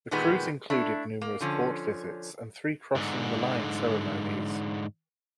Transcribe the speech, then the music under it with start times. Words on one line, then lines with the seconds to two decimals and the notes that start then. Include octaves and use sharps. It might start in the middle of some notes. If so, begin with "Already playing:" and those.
The cruise included numerous port visits and three crossing the line ceremonies.
0.11 A#2 D#3 G3 G#3 B3
0.70 A3 D4 E4
1.21 A#3
1.41 D3 F3 C#4
2.95 G#2 D3